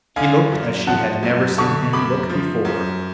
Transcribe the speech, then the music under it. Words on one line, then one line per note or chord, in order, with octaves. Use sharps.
He looked as she had never seen him look before.
D3 F5 G#5
F#2
F3 F#5 A5
F#2
D3 A5 C#6
F#2 B5 D6
F3
F#2